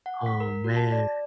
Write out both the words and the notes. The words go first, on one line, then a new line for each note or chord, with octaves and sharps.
Oh, man.
F#5
B6
A#4
F#4
A5
D5